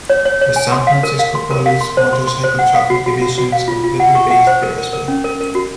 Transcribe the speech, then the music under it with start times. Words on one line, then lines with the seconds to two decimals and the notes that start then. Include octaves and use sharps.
The San Francisco Police motorcycle traffic division is completely based there as well.
0.10 C#5
0.25 C#5
0.41 C#5
0.56 G#5
0.72 C6
0.87 F5
1.03 A#4
1.19 F5
1.35 C6
1.51 A#4
1.66 F5
1.81 C6
1.97 C5
2.13 C6
2.27 C6
2.44 C5
2.59 F#5
2.75 F5
2.90 F#4
3.06 F#4
3.22 F#4
3.38 F#4
3.52 F5
3.68 F4
3.84 F4
4.00 F#5
4.15 C#6
4.31 F#5
4.47 C5
4.63 A#4
4.78 A#4
4.93 A#4
5.08 C#4
5.24 A#4
5.41 A#4
5.55 F#4